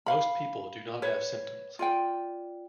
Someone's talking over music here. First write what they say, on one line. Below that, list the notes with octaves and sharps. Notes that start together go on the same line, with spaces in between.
Most people do not have symptoms.
F5 B5
B4 C#5
F4 D5 G5